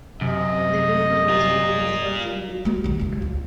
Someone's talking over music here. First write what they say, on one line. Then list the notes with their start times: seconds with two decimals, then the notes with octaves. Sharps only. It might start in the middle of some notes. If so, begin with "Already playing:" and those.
The record was released outside North America.
0.21 F#2 C3 D#5
1.29 F4 A#4
2.65 G#3 A#3
2.84 A#1 D#2
3.00 E2 C#3
3.22 C#2